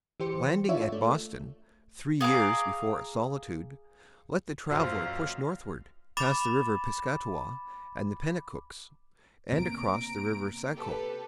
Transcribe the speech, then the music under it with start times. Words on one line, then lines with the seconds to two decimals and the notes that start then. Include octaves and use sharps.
Landing at Boston, three years before a solitude, let the traveller push northward, pass the River Piscataqua and the Penacooks, and cross the River Saco.
0.20 E3 G4 C5 C#7
0.69 D4 E4 F4 C#5 D5 E5
0.92 A3
2.21 G#4 F5 A#5 D6
4.70 A#1 F#2 C5 F5
6.17 B5 D6 A6 E7
9.52 C3 A#3 B3 A#5 D7
10.75 G4 A4 B4